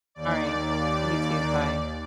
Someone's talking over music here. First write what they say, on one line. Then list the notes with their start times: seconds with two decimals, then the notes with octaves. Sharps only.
Alright, you too, bye.
0.15 D#2 D5